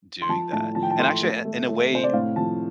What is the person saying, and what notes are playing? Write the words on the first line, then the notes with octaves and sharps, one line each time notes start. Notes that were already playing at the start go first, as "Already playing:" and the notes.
doing that. And actually, i in a way,
C6
F3 A5
A2 A5
F3 A5
G5
A5
A3 C6
A3
A3
A3
C3 C5
D5
A2 F5
F3 A5